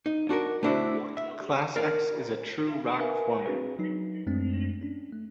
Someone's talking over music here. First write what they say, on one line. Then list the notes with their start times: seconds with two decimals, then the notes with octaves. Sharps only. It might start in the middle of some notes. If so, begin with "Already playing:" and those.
ClassX is a True Rock format.
0.06 D#4
0.29 D4 F#4 A4 A#4
0.63 A3 B3 D4 E4 F#4 C5
1.17 E5
1.76 A#4 D5 F5
3.00 A#4 B4 E5 F5 G#5
3.46 C4 D4 F#4 G#4 B4
3.79 F#3 D#4
4.27 F#2 G#3 A3 C4 D4
4.81 C#4 D4
5.12 A3